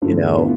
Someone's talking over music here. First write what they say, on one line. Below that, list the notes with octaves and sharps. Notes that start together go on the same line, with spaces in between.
you know,
G2 D3 A3 E4
E3 B3 F4